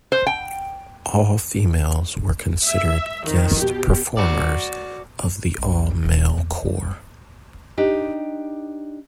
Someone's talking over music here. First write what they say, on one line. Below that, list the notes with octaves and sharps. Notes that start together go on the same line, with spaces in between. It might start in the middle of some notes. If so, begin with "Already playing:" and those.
All females were considered "guest performers" of the all-male corps.
C5
G5
E5
F2 D#3
B2 G4
F#4 D5
B1
D#1 D4
E2 A#3
G3
D4 D#4 G4